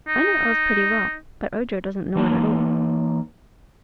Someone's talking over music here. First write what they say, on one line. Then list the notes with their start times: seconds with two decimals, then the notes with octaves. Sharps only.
I know Oz pretty well, but Ojo doesn't know it at all.
0.08 D#4
2.15 E3 A#3 D#4 A5